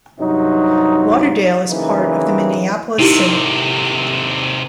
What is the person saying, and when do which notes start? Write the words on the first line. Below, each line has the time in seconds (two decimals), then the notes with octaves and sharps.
Lauderdale is part of the Minneapolis-St.
0.20 G2 C3 F#3 C4 D#4
1.69 C#3 E3 F#3 A#3 C4 D#4
2.99 C3 D#3 D#4 E4 G4